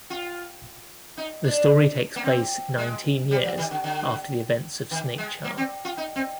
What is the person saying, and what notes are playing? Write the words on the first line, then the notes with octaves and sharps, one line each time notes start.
The story takes place nineteen years after the events of "Snakecharm".
F4
D#4
D4
A#3
C4
G#3
G3
F3
D#3
D3
D3
D#3
G#3
A#3
C4
F4
D#4
C4